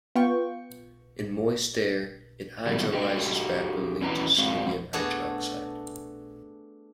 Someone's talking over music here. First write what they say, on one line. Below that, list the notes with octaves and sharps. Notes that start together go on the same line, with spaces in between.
In moist air, it hydrolyzes rapidly to sodium hydroxide.
B3 F4 G5 C#6
B2 D#3 F#3 G3 A3
F#4 G4 A4 D#5 G5
E2 C#4 E4 F#4 B4 A#5
G#2 C4 F#4 F5
A3 B3 D4 F#4 G#4